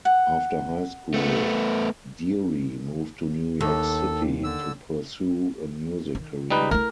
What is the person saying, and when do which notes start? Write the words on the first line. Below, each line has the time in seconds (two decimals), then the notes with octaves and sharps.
After high school, Dearie moved to New York City to pursue a music career.
0.05 F#5
1.14 A3 B3
3.61 D#2 A4
4.44 D3 E6
6.15 D#3
6.50 G3 D#4 B4
6.71 A3 E4 A#4